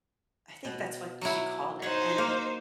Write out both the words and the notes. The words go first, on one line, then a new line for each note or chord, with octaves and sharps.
I think that's what she called it, and
B2
F#3 E4
D#4 C5 C#5 F#5
A#3